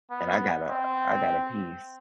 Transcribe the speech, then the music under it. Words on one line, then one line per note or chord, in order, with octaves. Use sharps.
and I got a I got a piece.
B3
C4